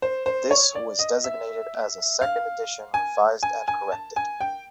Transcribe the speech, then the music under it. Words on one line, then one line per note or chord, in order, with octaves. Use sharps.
This was designated as a "second edition, revised and corrected".
C5
C5
C#5
D5
D#5
E5
F5
G#5
G#5
G#5
A5
G#5
G5